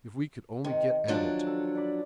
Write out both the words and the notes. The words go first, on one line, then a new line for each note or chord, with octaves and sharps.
If we could only get at it!
C3 D#3
F3 F#3 D4
A4
D5 B5